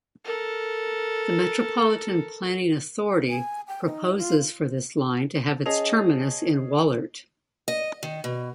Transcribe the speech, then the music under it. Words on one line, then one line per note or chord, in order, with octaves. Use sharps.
The Metropolitan Planning Authority proposes for this line to have its terminus in Wollert.
A4 A#4
G#5
G5
D#4
F4
C#4 G#4 D#5 A5 F7
D#5
D#3
B2